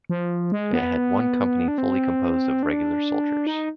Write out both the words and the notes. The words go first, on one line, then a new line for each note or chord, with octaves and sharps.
It had one company fully composed of regular soldiers.
F3
G#3
B3
D4
C4
D4
D#4